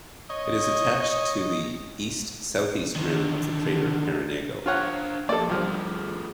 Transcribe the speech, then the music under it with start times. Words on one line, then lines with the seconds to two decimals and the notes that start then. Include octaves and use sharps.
It is attached to the east-southeast rim of the crater Parenago.
0.30 C#5 D#5
2.96 D3 D#3
4.66 D4 F4 C5 C#5 F5 F#5
5.29 F3 A#3 A4 D5
5.50 G2 F3 A3 F4 G#4